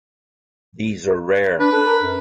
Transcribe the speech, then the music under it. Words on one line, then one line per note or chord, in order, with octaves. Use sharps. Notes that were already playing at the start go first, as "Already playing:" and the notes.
These are rare.
D4 B4
A4
A#4
F#2